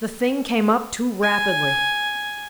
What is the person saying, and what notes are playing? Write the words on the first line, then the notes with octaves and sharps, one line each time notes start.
The thing came up too rapidly.
G#5